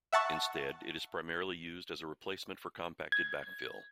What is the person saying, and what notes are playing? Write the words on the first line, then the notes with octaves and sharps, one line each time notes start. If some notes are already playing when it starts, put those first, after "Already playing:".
Instead, it is primarily used as a replacement for compacted backfill.
E5 F#5 A5 C#6
G#6